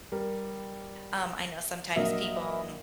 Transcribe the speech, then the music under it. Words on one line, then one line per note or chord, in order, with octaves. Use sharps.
um, I know sometimes people,
G3 A#4
A#1 F#3 A#4 D#5 E5